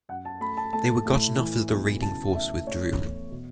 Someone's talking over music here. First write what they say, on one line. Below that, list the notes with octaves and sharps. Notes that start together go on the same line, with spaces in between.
They were gotten off as the raiding force withdrew.
F#2 F#5
A5
A3 B5
A5
A3 A5
A2
E3
B1
C#3 A5
A3 E5
A3 C#5
E2
B2